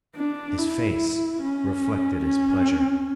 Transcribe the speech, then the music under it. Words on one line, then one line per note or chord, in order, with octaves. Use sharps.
His face reflected his pleasure.
D4
E4
C#4
C#4